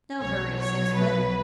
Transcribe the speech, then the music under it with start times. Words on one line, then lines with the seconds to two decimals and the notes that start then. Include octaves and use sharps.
No hurry, six-foot.
0.20 B1 B2 F#3 C#5
0.58 C#5
0.94 B4